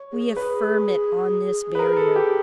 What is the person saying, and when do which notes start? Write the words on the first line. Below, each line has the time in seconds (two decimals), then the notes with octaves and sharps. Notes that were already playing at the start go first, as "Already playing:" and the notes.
We affirm it on this barrier.
Already playing: C#5
0.12 G#4
0.36 G#4 B4
1.75 B4
1.79 A#4
1.97 A4
2.16 G4